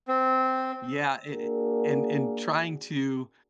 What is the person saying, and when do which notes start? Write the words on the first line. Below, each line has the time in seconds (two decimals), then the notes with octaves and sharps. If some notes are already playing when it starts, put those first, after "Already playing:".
yeah, i i and in trying to,
0.08 C4
1.31 A#3 D4 F#4 G#4 A#4